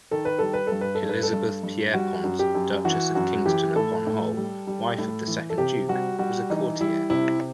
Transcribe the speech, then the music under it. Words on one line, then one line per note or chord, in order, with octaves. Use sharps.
Elizabeth Pierrepont, Duchess of Kingston-upon-Hull, wife of the second Duke, was a courtier.
D#3 A4
B4
G3 A4
B4
G2 A4
B4
A4
G2
B4
A4
G2
G2
G3 F#4
F#2
G4
F#2
E3 F#4
F#2 F#4
E3 G4
A2 A4
A2
G3
G3
A2
E3
A4
C3 G4
G3 F#4
G3 F#4
E3 D#4
G3 E4
C3 E4